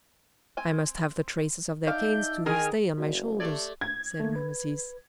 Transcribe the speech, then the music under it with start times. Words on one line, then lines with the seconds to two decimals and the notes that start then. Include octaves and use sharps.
"I must have the traces of their canes to this day on my shoulders," said Rameses.
0.57 C4 G#5
1.87 D4 D#4 G4 E5 F5 G6
2.46 D#3 G#4 A#4 G#5 F6
2.98 F#1 F#4 D5
3.40 A3 G4 D5 G#6
3.81 G#6
4.20 A3 A#3
4.36 B4